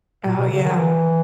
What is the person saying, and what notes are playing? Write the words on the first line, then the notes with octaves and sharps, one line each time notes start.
Oh, yeah.
A#2
B2
C#3
D#3
E3